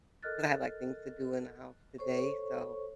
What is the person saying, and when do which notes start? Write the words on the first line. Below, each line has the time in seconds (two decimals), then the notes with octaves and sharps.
cause I have, like, things to do in the house today, so
0.23 A4 A#4 D#5 F6 F#6 A6
1.98 A4 C5 C#5 C#6